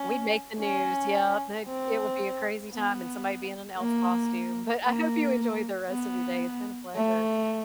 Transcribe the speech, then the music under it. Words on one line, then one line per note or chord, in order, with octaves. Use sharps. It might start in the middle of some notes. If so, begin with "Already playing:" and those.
We'd make the news, yep, it it would be a crazy time and somebody would be in an elf costume, but I hope you enjoy the rest of your day, it's been a pleasure.
Already playing: C#4
C#4
C4
B3
A#3
A#3
B3
A3